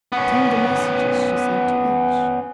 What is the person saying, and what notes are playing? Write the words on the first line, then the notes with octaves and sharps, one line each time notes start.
Tender messages she sent to each.
B3 C#4